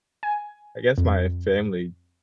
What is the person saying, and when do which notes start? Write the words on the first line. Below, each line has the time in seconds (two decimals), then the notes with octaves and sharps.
a I guess my family
0.23 G#5
0.98 F2